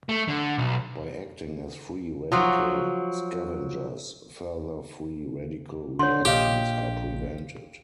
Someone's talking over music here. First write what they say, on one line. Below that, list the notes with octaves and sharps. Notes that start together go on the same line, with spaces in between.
By acting as free radical scavengers, further free radical reactions are prevented.
A3
D3
B1
F3 F#3 F#4
D3 C#5 C6
A#1 G4 D#5 F5 G5